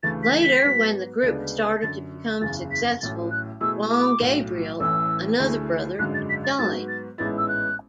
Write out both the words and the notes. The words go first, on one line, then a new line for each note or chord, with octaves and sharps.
Later, when the group started to become successful, Juan Gabriel, another brother, joined.
D2 C#3 E3 A3 A6
B6
B6
G#2 F#3 B3
D2 C#3 G#3 B3 D4
F#2 D3 F#3 A6
F#1 E2 C#3 A6
B6
A1 A2 F#3 A6
F#6
B2 A3 E4 G#4 E6
D6
B1 A2 F#3
A1 A2 E3 E6
D2 D3 A3 E4 G#4
G#1 F#2 D3 G#3 F#6
A6
B6
A6
G#2 F#3 B3 F#4 A6
A6
A1 G#2 G#3 B3 E4 A6
E6
F#6